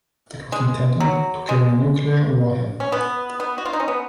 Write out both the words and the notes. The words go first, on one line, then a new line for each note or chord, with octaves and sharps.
It was intended to carry a nuclear warhead.
G#3
F#3
G#3
C#4
B3
B3
F#4
F4
D#4
C#4
B3